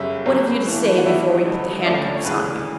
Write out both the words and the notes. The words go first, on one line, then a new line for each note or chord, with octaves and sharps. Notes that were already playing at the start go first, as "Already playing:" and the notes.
"What have you to say before we put the handcuffs on you?"
Already playing: G1 F#2 C#3 G3 E5
G1 G2 F#3 C#4
G1 G2 E3 A3
F#5
A1 G2 E3 B3 E5
A1 G2 D3 F#3
E5
D2 D3 A3 C#4 D5
C#5
D2 C#3 E3 B4